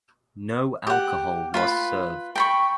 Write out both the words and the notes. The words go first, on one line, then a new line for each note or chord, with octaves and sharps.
No alcohol was served.
G4 F#5
F4 B4 B5
G5 B5 C#6